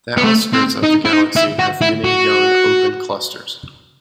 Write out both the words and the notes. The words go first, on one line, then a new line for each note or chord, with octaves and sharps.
The outskirts of the galaxy have many young open clusters.
B3
A3
C4
D#4
E4
D#4
E4
F#4
E4
F#4